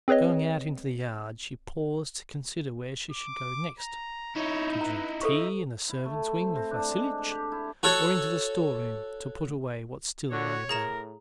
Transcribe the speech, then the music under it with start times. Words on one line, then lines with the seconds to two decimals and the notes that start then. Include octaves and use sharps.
Going out into the yard she paused to consider where she should go next- -to drink tea in the servants' wing with Vasilich, or into the storeroom to put away what still lay about.
0.08 C4 G#4 B4 C#5 D#5
3.11 D6
3.80 A#5
4.36 D#4 E4 C#5
4.81 B4 A#5
5.21 A4 C5 E5 C#6
5.89 E4
6.05 A3
6.40 C4
6.56 C4
6.71 D4
6.90 G#3
7.18 A4
7.31 G4
7.52 E4
7.83 F#4 A4 C#5
10.32 D3 F#4 C#5
10.69 A2 G#4 A#4 A#5 E7